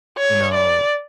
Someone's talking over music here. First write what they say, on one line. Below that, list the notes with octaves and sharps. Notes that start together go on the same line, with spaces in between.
you know
C#5
D5